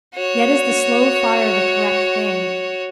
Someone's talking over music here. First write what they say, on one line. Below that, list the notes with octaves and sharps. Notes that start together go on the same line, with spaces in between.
Yet is the slow fire the correct thing.
F#4 C#5